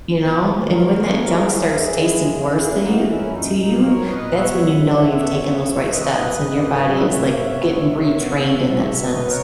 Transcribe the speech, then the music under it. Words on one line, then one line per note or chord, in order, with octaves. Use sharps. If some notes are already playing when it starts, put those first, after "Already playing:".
you know? And, when that junk starts tasting worse to you to you, that's when you know you've taken those right steps and your body is, like, getting retrained in that sense.
B3
D#2
F#3
D#3 A#4 C#5
B3
D#2
G#3 F#4 A#4
D#2
E4 G#4
E3
C#3
G#3
D#2
F#2
F#2
A#3
E3 D#4 F#4
F#2
C#4 E4
F#2
A#2 D#4
A#2
D#4
A#3
F#3 A#4 C#5
A#2
B4 D#5
A#2
B3 C#5 E5
F#2
G#3
C#3
B3
F#2
B3
F#2
G#3
D#3 B4 D#5
B3
F#2
A#3
G#2
F#3
D#3 C#5 E5
A#3
G#2
B3
E2
G#3
B2 C#5 E5
B3
E2
B3
E2
F#3
B2 B4 D#5
B3
A#4 C#5